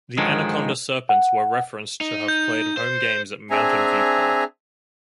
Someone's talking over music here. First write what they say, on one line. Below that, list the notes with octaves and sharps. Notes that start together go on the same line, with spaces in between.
The Anaconda Serpents were referenced to have played home games at Mountain View Park.
G#2 D3 D#3 F3 F#3 G#3
F#5
D#4
G6
C5
C4 D4 G#4 E5 G#5 A#5